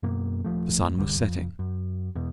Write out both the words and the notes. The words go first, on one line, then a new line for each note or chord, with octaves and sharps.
The sun was setting.
F#2 B2 A#3
D#1 F3 A3
G1 C2 D3 G3
F2
F#2
E2 B2